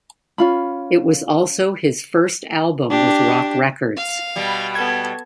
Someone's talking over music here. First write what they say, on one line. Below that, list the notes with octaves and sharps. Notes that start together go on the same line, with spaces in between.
It was also his first album with Rock Records.
C#4 F4 B5
D4 G4
F5
B2 G3
B3 A4 G#6